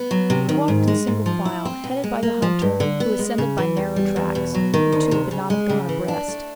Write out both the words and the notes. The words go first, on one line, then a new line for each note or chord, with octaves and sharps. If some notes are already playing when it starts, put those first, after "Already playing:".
We walked in single file, headed by the hunter, who ascended by narrow tracks, where two could not have gone abreast.
Already playing: B3
F#3
C3
D#3
G#2
G#3
G#2
F3
E4
C4
B2
G#3
A#3
F3
G2
D3
B3
G#3
C#3
E3
E2
G3
E2
B2
F#3
D#3
D2
C3
C#3
G#3
C#3
E3
D4
A3